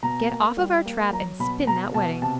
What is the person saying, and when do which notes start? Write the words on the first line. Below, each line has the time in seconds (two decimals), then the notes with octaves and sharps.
"Get off of our trap and spin that wedding."
0.03 B2 A#5
0.31 A#3
0.57 G3
0.85 A#3
1.13 F#3 A#5
1.39 B2 B5
1.67 B2 A#5
1.94 B2 A5
2.22 C3 A5